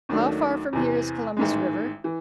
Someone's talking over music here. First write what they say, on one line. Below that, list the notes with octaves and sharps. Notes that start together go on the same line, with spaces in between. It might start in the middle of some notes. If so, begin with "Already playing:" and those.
How far from here is Columbus River?
D#2 D#3 F#3 A3 D4
E2 C3 E3
A1 G#2 D#3 G#3
E3